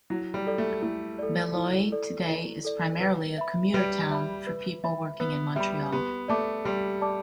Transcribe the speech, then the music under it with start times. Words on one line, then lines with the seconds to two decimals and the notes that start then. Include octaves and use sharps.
Beloeil today is primarily a commuter town for people working in Montreal.
0.10 F#3 E4
0.34 G3
0.47 A4 D5
0.58 A3
0.82 A3 E4
1.19 A4 D5
1.55 E4
1.92 A4 D5
2.28 E4
2.65 A4 D5
3.01 B4
3.38 E5 B5
3.74 G3 B4
4.11 E5 B5
4.47 B4
4.84 E5 B5
5.20 B3 B4
5.56 G3 E5 B5
5.92 B3 G4
6.28 A3 D5 A5 D6
6.65 G3 G4
7.02 D5 A5 D6